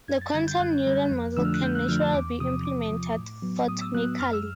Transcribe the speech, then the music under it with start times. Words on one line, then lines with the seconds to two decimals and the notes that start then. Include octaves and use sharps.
The quantum neuron module can naturally be implemented photonically.
0.08 F#2 G#6
0.21 A6
0.34 D3 G3 G#6
0.47 G6
0.59 F#2 F#6
0.86 D3 G3
1.11 F2
1.37 D3 F3 A3 D4 E6
1.45 F6
1.54 F#6
1.63 F2 G6
1.75 F#6
1.88 D3 F3 A3 D4 F6
2.01 E6
2.14 E2 D6
2.40 C3 F3 D#6
2.65 E2 D6
2.91 C3 F3
3.17 A2
3.42 F#3 B3
3.68 A2 D#6
3.81 E6
3.94 F#3 B3 F#6
4.20 F#2 F6
4.33 E6